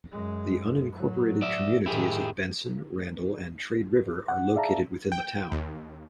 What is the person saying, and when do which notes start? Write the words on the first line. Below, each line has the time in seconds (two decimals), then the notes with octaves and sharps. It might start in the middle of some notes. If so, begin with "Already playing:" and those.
The unincorporated communities of Benson, Randall, and Trade River are located within the town.
0.12 F#2 G#3
0.94 A2 F#3
1.42 D5 E5
1.86 A2 D#3 E4 G4 G#4
4.28 F#5
4.55 G#4 D5 E5 F5 A5 A#5
5.12 G5
5.52 D#2